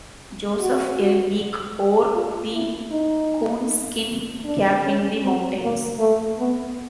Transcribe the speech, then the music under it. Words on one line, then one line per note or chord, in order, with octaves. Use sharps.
Joseph L. Meek wore the coonskin cap in the mountains.
F#4
F4
E4
D#4
D4
C#4
C4
A#3
A3
B3